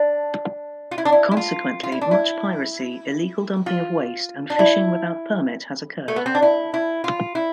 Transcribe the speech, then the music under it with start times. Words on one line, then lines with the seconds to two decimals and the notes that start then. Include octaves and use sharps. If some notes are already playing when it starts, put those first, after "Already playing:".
Consequently, much piracy, illegal dumping of waste and fishing without permit has occurred.
Already playing: D4
0.91 F4
0.98 E4
1.05 D4
1.12 E4
1.31 E4
1.37 F4
1.83 F4
1.92 E4
2.01 D4
2.11 E4
3.66 F4
4.50 D4
4.59 E4
6.08 A3
6.16 B3
6.26 C4
6.35 D4
6.42 E4
6.74 E4
7.04 F4
7.35 E4